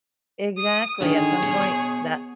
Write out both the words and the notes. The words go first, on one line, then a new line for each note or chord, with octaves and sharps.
exactly, at some point that
D#6
D3 D#3 G#4 C#5
B2